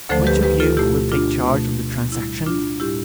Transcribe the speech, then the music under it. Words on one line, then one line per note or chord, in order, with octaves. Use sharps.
"Which of you will take charge of the transaction?"
D2 D3 F3 A3 A4 C5
G4 B4
G4 B4
F4 A4
B2 A3 E4 G4
D4 F4
B2 A3
A2 G3 E4
D4 F4
A2 G3 E4 G4